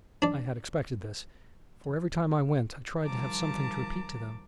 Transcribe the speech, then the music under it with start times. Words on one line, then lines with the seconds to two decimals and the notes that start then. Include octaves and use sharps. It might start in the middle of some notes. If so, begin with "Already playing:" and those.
I had expected this; for, every time I went, I tried to have something to repeat to them.
0.22 D4 D5
3.03 D#3 F3 G3 A5 A#5 D6